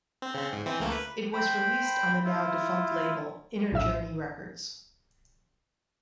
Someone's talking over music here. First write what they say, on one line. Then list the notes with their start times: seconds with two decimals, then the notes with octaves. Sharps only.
It was released on the now defunct label 'Inner Journey Records'.
0.22 C4
0.35 C#3 C4
0.53 G#2
0.66 E3 C4
0.80 C#2 A3 A#3
0.92 B4
1.33 C5 G5 B5
2.25 E4 F4
3.72 A#1 A2 E5 E6